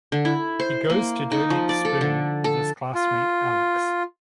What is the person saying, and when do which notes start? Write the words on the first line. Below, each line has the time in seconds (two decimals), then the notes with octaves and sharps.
He goes to donate sperm with his classmate Alex.
0.12 D3
0.25 E4
0.60 C5
0.90 A#3
1.32 D#4
1.50 F3
1.69 D5
1.85 A4
2.01 D3
2.44 A4
2.95 F4